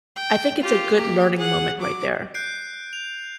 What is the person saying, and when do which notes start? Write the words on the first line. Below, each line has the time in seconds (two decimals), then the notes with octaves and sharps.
I think it's a good learning moment right there.
0.16 G5
0.61 F4 G4
0.96 A#3 G4
1.38 G#4 F#5
1.77 F#3 D6
2.34 F#6 G6 C7 D7
2.93 F7